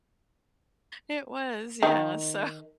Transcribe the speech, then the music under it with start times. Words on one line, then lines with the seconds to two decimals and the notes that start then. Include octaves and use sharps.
it was, yeah, so,
1.82 D#3